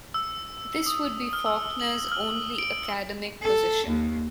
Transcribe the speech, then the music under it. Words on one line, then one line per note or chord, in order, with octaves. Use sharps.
This would be Faulkner's only academic position.
E6
D#6
F6
E6
F#7
F6
D7
A4
D#2